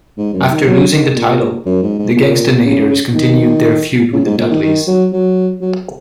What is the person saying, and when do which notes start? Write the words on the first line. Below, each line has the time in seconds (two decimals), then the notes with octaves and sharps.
After losing the title, The Gangstanators continued their feud with the Dudleys.
0.17 G#2
0.34 F#2
0.51 D#3
0.66 F#3
0.92 D#3
1.16 A#2
1.66 F#2
1.82 G#2
1.98 G#2
2.16 A#2
2.65 C#3
3.14 D#3
4.13 C#3
4.25 G#2
4.37 A#2
4.51 D#3
4.63 D#3
4.87 F#3
5.13 F#3
5.61 F#3